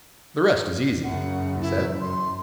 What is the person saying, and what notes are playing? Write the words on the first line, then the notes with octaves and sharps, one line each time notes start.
"The rest is easy," he said.
F#2 C#3 F#3 F#5
E4
F#2 C6